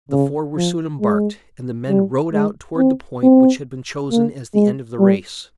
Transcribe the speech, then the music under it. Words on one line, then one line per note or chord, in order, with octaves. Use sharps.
The four were soon embarked, and the men rowed out toward the point which had been chosen as the end of the race.
C#3
F3
G#3
G3
G#3
C4
C4
A#3
G#3
G3